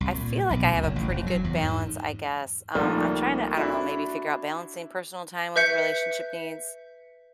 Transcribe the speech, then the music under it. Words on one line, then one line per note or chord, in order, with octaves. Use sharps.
I feel like I have a pretty good balance, I guess, um, I'm trying to, I don't know, maybe figure out balancing personal time with relationship needs.
C2
A#2
B1
D2
F#1
A1
F1
F#3
E2
G#2
C2 D#3 F3 G3 A3 A#3
D4 E4 F#4
B4 E5 G6 B6 C#7